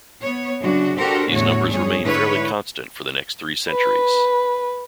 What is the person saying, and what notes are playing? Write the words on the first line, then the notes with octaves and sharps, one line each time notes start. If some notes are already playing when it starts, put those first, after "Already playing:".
These numbers remained fairly constant for the next three centuries.
B3 C#5
F#2 C#3 D4 F#4
D4 F#4 G4 A4 A#4 C5
E2 A2 D3 A3 F#4 C#5
G2 G#4 C#5
G#2 D3 E4 B4 C#5
B4